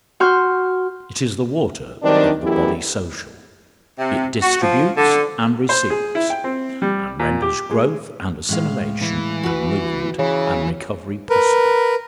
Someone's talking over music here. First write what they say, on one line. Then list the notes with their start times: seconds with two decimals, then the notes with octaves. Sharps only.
It is the water of the body social, it distributes and receives, and renders growth and assimilation and movement and recovery possible.
0.20 F#4 C6 F6 G6
2.02 G2 D#3 F#3 C4 D4
2.43 F#2 E3 A3 B3 E4 G4
3.99 C3
4.42 F#4
4.62 F3
4.96 D3
5.69 C5
5.90 G#4
6.15 E4
6.30 G5
6.44 C4
6.82 G3
7.20 A#2
7.42 G4
7.71 G#3
8.49 A2 G#3 F5
9.02 E3
9.43 F#4 B4
10.19 C#3 E3
11.30 A#4 B4